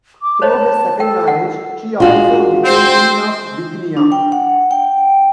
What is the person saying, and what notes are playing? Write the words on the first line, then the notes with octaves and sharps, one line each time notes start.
Through her second marriage, she also became Queen of Bithynia.
D6
C5 C#5 D#5 A5
A4 G5
F#5
G#3 D4 F4 F#4 F5
C4 C5
D4
G5
F#5
G5